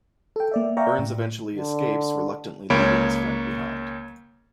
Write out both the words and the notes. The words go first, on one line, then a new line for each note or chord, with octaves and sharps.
Burns eventually escapes reluctantly leaving his friend behind.
A4 G5
A#3 D5 E5
D5 E5 F5 G5 A#5 C#6
A2
D3
C#2 A#3 C#5 B5 D7